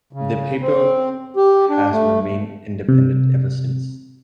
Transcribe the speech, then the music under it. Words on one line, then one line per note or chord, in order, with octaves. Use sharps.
The paper has remained independent ever since.
C#3
C4
G4
D4
A3
C3